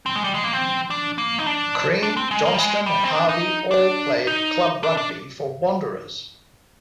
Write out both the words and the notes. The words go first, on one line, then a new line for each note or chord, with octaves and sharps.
Crean, Johnston and Harvey all played club rugby for Wanderers.
C4
G#3
G3
G#3
A#3
C4
D4
A#3
D#4
D4
D4
C4
G#3
A#3
G3
G#3
G3
C4
D4
D#4
D4
D#4
D4
D4